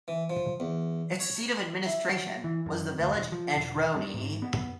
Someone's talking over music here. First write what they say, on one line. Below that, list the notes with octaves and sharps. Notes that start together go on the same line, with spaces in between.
Its seat of administration was the village Antroni.
E3
F3
E2
C#5
E4
F#3
E3
F#2
D2
E1
F3
E1
G2
G#2
B3